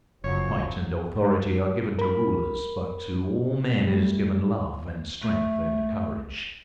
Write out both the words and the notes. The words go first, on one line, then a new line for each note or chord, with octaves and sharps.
Might and authority are given to rulers, but to all men is given love and strength and courage.
F#1 C#3 F3 F#3 C#5
A#4 B5
G3 A3
A3